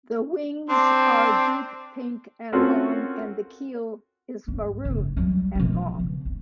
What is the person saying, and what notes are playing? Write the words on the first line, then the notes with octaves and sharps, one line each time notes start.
The wings are deep pink and long and the keel is maroon and long.
C4 D4
C4 C#4 F4 F#4 A4 A#4
G#2
F#1
F#3 G3
B2 F3
C#3
D#3